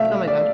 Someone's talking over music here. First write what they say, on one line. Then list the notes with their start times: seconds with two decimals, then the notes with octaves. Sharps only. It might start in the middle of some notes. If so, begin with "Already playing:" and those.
Oh my gosh.
Already playing: A3 E5 F5
0.27 D5